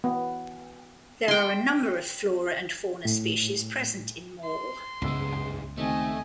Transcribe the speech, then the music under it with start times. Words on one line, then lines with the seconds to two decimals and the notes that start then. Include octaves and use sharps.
There are a number of flora and fauna species present in Maule.
0.04 B3
1.28 G5 C6
3.05 A2
4.43 C6
5.02 F#1 C#2 G2 G#3 B3 E6
5.78 C3 D#3 A3 C4 D#5 G#5